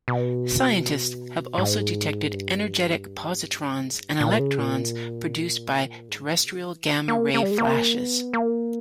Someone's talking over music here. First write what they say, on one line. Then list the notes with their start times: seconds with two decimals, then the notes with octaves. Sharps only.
Scientists have also detected energetic positrons and electrons produced by terrestrial gamma-ray flashes.
0.08 B2
1.58 G#2
2.33 G2
3.83 G#2
4.02 G2
4.20 A#2
4.39 C#3
4.58 A#2
6.09 G#2
6.27 A#2
6.46 C#3
6.64 E3
6.83 G3
7.08 A#3
7.34 A#3
7.42 G3
7.51 G#3
7.58 A#3
7.96 B3
8.33 A#3